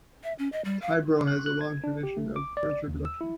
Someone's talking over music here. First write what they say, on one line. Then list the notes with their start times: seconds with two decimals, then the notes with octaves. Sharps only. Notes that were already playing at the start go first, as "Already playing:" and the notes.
Tibro has a long tradition of furniture production.
0.24 E5
0.39 C#4
0.52 D#5
0.65 G3
0.82 F5
1.27 F#6
1.46 F#6
1.61 G#6
1.84 D4
2.03 G4
2.17 A3
2.36 D6
2.57 D5
2.89 D#2
3.05 E6
3.21 E4